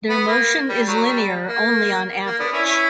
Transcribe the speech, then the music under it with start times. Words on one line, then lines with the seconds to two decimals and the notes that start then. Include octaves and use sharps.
Their motion is linear only on average.
0.09 B3
0.28 A#3
0.69 G3
0.88 F#3
1.08 G3
1.47 A#3
2.26 A#3
2.39 B3 D4
2.52 C#4 E4
2.65 C#4 E4